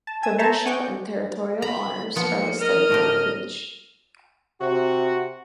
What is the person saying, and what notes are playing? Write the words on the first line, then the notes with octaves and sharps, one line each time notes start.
Provincial and territorial honours are listed within the page.
A5
G#5 E6 G#6
A4 C5 C#5 E5 A5 A#5
F#5 G#5 C#6 D6 G6
A#5 B5
F3 A#3 B3 C#7
A#4 D#5 F6
A2 D3 G4
C3 F#4